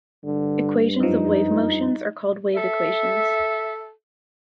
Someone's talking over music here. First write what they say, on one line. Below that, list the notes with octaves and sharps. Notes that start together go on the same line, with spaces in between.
Equations of wave motion are called "wave equations".
G2 D3
F#2 F3 D#4
A4 E5